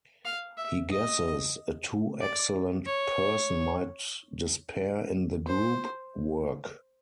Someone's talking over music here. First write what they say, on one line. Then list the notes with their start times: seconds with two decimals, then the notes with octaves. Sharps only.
He guesses, "A too excellent person might despair in the group work".
0.25 F5
0.57 E5
0.91 D#5
2.21 D5
2.86 C#5
5.47 C5